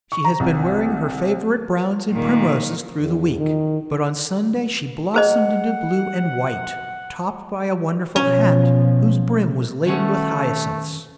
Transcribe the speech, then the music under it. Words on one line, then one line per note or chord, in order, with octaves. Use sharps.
She has been wearing her favourite browns and primroses through the week, but on Sunday she blossomed into blue and white, topped by a wonderful hat, whose brim was laden with hyacinths.
C#6
A#5
C2
A#2 D#3
E2
D#3
G#4 C5 D#5 F#5
B2 F3 C#4
D#3 A3 C#4 F#5